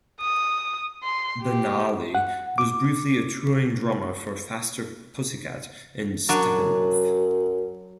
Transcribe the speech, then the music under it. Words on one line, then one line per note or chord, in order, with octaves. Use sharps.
Banali was briefly a touring drummer for Faster Pussycat and Steppenwolf.
D#6
C6
G4
F#5
D6
F#2 F#3 D4